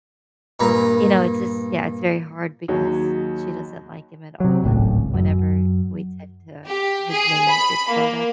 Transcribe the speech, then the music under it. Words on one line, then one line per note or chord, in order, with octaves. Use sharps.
you know, it's just, yeah, it's very hard because she doesn't like him at all, and whenever we tend to his name gets brought up,
G2 A#2 B4 A#5
D#2 F#3 F#4 G#4 C#5
C3 F#3
D1 G#1 C#2 A2
F#2
G4
G#4
B5
A#3